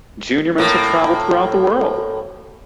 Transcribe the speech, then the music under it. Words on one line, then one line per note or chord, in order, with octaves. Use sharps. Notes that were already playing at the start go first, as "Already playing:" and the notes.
Junior Mints have traveled throughout the world.
A2 A#3